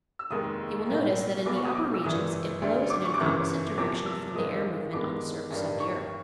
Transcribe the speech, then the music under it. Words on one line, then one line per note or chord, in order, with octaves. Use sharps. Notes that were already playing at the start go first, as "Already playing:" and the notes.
You will notice that in the upper regions it blows in an opposite direction from the air movement on the surface of the earth.
E6
F1 D#2 D#3 G#3 D#6
B1 A2 F#3 A#3
B1 B2 F#3 B3 D6
C#6
D#6
D6
E6
G1 F#2 C#3 E3 G3 D#6
D2 D3 G3
D6
C#6
D6
G1 F#2 C#3 E3 C#6
E2 C3 F3 A#3 D6
E6
G#1 F#2 D#3 G#3 D#6
G2 D#3 G#3 B3 D6
A1 G2 D#3 G3
C#6